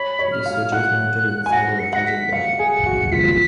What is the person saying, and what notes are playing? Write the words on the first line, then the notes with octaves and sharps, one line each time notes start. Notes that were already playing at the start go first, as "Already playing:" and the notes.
This switch is mounted inside a rotating body.
Already playing: C#5 B5
C#5
F6
F5
F#5 F#6
G#5
F#5 A#6
C#7
F#5 A#6
B6
F5 C#7
G#4
C#7
F#4
F4 B6